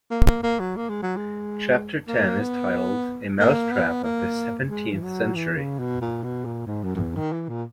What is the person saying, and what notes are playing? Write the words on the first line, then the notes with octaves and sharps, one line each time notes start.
Chapter ten is titled "A Mousetrap of the Seventeenth Century".
A#3
A#3
A#3
F#3
A#3
G#3
F#3
G#3
A#3
B3
A#3
B3
A#3
G#3
E3
F#3
E3
C#3
B2
A#2
B2
A#2
G#2
F#2
F#2
E2
D#3
E3
A#2